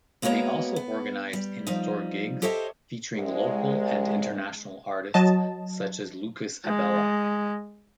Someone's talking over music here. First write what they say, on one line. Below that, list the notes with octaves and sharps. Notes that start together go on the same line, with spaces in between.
They also organised in-store gigs featuring local and international artists such as Lucas Abela.
G#3 A#3 B3 F#4 C#5 A#5
B3
G3
F3 G3 D#4
G4 A4 C5 C#5 D#5 E5
C2 G#3
F#3 D#5 A5
G#3